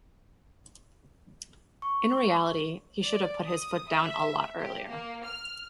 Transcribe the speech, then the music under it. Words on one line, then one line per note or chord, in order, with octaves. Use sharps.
In reality, he should have put his foot down a lot earlier.
C#6
D5
D#6
E5
G4
A#3
F6